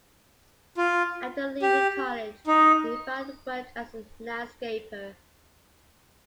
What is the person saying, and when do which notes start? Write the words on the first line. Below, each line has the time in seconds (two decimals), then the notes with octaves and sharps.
After leaving college he found work as a landscaper.
0.77 F4
1.62 G4
2.47 D#4